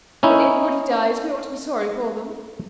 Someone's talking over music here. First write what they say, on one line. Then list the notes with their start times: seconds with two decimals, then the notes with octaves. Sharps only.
When anybody dies we ought to be sorry for them.
0.23 C#4 D#4 E4